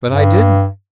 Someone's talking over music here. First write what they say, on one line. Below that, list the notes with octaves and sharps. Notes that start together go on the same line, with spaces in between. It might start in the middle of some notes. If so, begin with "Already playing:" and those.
"But I didn't."
G2